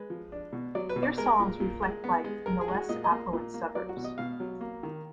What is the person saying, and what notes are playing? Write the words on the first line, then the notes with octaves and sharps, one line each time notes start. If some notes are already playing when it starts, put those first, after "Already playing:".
Their songs reflect life in the less affluent suburbs.
Already playing: G#3 B4
F3
D4
B2
F#3 D5
B4
B2
D5
G#3 A#4
A#2
A#2
G#3
B3
G#3
G#3 A#4
G#4
G#3
F#4
A#2 D#5
D#5
A#3
A#2
A#3
F#3 D5
F#4
B2
D#5
B2 F5
F#3
A#3
D#3